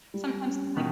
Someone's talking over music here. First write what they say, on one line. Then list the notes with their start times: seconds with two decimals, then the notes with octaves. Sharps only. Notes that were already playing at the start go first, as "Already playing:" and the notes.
sometimes, like
0.14 G3
0.46 C#4
0.76 B2 D#3 E3